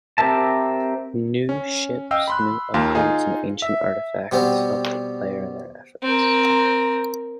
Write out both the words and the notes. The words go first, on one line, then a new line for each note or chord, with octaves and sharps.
New ships, new upgrades, and ancient artifacts help the player in their efforts.
C4 G4 A#4 E5 A5
C#4
D#5 F5 G5 E6
B5 C6 F#6
D#2 A#3 F4 C6
D#4 F4 G#4
E5
B2 G3 B3 C4
C4 A#4